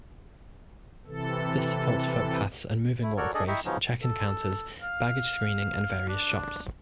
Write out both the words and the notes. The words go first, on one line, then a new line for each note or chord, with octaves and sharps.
This supports footpaths and moving walkways, check-in counters, baggage screening and various shops.
C3 E3 A4
A3 E4
F#4 A4 A#4 C#5 D5
D4 G#4 A4 D5 D#5
E4 D#5 E5 G5 A#5 C#6
C#3 F3 F#3 B3 C#4 D#4
A4
F5
D4